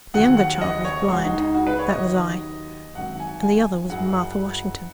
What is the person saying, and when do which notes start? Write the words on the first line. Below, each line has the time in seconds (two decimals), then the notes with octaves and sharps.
The younger child was blind--that was I--and the other was Martha Washington.
0.14 D#2 C#3 F#3 F#5
0.37 F#5
0.61 D#5
0.85 C#5
1.08 C#2 C#3 G#3 F#4
1.24 D#4
1.39 D#4
1.54 F#4
1.67 B4
1.79 C#5
1.90 D#5
2.02 D#2 D#3 F#3
2.95 G#1 F#2 D#3 F#3 F#5
3.20 G#5
3.43 G#5
3.90 F#1 F#2 C#3 F#3 F#5